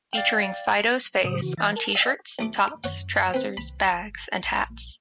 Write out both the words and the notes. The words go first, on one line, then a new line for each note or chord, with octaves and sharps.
Featuring Fido's face on t-shirts, tops, trousers, bags and hats.
D5 F5 G5
A2 C#3 F#3 C5 D#6
C#3 E3 F#4
E3 E5 A6
A#4 A5
D5 D#5 F5 G5 G#5 E6
B1 A3 D6
F#2 C#5 F#5
C4 B4
C2 B5
G1
A#1